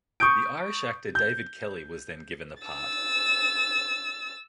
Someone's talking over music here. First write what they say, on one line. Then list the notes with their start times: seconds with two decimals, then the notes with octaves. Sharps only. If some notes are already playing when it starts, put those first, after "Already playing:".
The Irish actor David Kelly was then given the part.
0.20 C#6 D#6 G6 D7
1.15 G6
2.63 E6 A6